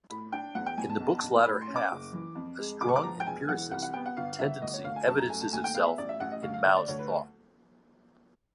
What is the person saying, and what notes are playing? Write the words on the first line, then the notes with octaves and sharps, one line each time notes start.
In the book's latter half, a strong empiricist tendency evidences itself in Mao's thought.
A2 B5
D4 G5
E2 F#5
G5
E2 G#5
A5
B1
B1
A2 B5
C6
C#4
D6
F#1
E3
F2
G#3
G1 D6
C#6
D6
F3 A#5
G5
E1 G#5
E3 F#5
C2 F#5
F#5
B3 G5
F#5
G1 F5
G1 E5
D2 D#5
C#5
D2 F5
G#5
F#2 A5
A#5
A3 G#5
A5
D#2 G#5
G5
B3 F5
E5
A1 D5
E5
A1 F#5
D#5
D2 F5
F5
D2 D5
D5
D2 C#5
B4